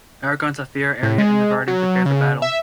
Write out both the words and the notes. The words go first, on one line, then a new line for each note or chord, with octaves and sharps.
Eragon, Saphira, Arya, and the Varden prepare for battle.
A2
G#3
F#3
C#3
E5